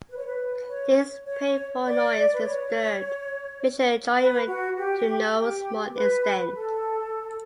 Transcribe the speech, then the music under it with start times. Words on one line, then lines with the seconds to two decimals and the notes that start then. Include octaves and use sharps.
This painful noise disturbed visual enjoyment to no small extent.
0.09 B4
0.17 C#5
0.25 B4
0.67 C#5
1.26 C#5
1.85 D5
2.33 B4
2.43 C#5
4.18 B4
4.48 F#4
4.78 G4
5.36 G4
5.95 B4
6.54 A4